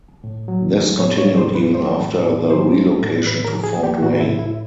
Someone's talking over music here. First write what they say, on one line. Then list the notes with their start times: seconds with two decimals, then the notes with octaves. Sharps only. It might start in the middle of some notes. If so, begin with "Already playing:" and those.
This continued even after the relocation to Fort Wayne.
0.24 A2
0.48 F#3
0.73 A3
0.99 A2 C#5
1.18 C#5
1.24 A2
1.37 C5
1.49 F#3
1.55 B4
1.75 A3 C5
1.99 A2
2.26 A2
2.50 F#3 C5
2.76 A3
3.01 A2
3.26 A2 B4
3.45 A#4
3.51 F3
3.64 G#4
3.76 A#3
3.83 G4
4.02 A2 F#4
4.20 E4
4.27 A2
4.39 E4